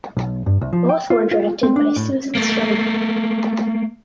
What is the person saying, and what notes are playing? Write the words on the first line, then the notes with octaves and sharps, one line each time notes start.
Both were directed by Susan Stroman.
B1
G2
C2
F3
G5
F4
F4
C4
D4
A2
A3 A#3